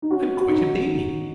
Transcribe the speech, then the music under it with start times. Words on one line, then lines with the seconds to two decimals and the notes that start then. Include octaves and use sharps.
I'm quite a baby.
0.02 D#4
0.10 C#4 F#4
0.39 F#4
0.48 C#4 D#4
0.86 D#3